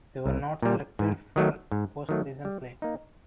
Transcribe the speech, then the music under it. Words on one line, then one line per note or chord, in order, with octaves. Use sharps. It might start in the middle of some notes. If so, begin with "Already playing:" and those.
They were not selected for postseason play.
C2
A#2 G3
G#2
D#3 F#3 A3
G#2
D#3 F#3 A3
G3
A#3 D#4